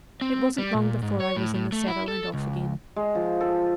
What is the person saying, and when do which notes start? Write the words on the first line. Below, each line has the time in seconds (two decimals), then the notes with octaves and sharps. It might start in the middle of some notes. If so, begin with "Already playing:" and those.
It wasn't long before I was in the saddle and off again.
0.21 C4
0.58 G3
0.74 A#2
1.02 G#2
1.20 C#5
1.37 A2
1.55 A2
1.72 A3
1.88 E4
2.08 A4
2.34 C#2
2.96 G#3
3.15 F3
3.41 A4